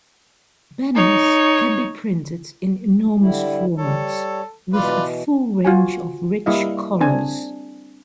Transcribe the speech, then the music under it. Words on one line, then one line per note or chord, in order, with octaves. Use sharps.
Banners can be printed in enormous formats, with a full range of rich colors.
D#4 C#5
D3 G3 E4
G3 A4 C#5
B2 E3 F4 B4 D5
F4 F#4 G#5
G3 A#3 E4 D#5 F5
C4 D4 G#5